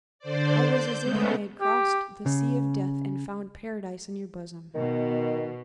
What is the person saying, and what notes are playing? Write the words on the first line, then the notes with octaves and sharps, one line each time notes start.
I was as if I had crossed the sea of death and found paradise in your bosom!
D3 C5 D5
G6
C#3 G#3 A3 B3
G4
C#3
B2 D#3